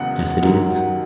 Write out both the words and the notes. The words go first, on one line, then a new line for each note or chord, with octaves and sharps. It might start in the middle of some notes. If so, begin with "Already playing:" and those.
"Yes, it is."
Already playing: F#1 E2 C#3 G#3 B3 F#5
D#2 D#3 F#3